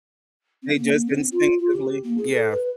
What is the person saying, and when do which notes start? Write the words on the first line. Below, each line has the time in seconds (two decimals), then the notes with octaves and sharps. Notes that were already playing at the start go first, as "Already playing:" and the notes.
They just instinctively yeah,
0.62 C4
0.77 A#3
0.91 A#3
1.07 C4
1.32 F4
1.58 F4
1.72 G4
2.03 A#3
2.18 G#4
2.31 A4
2.51 B4